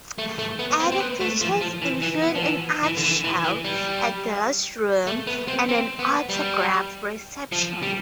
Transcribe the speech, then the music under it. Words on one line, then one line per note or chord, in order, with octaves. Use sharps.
Other features include an art show, a dealer's room, and an autograph reception.
A3
A3
B3
C4
C4
B3
A3
F3
F3
E3
E3
B3
F3
E3
E3
D3
E3
E3
E3
G3
A3
B3
C4
C4
B3
G3
F3
G3